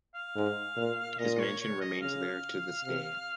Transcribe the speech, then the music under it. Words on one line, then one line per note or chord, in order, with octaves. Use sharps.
His mansion remains there to this day.
F5
G#2
A#2
A#2 D#5
C#5
C#5
D#5
C#3 F5
C3